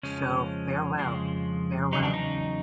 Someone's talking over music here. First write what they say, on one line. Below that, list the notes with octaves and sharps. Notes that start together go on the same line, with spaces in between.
So farewell, farewell.
F2 C#3 F3 G#3 C#4
F2 C#3 F3 G#3
E2 C#3 F#3 D#4
D4
D#4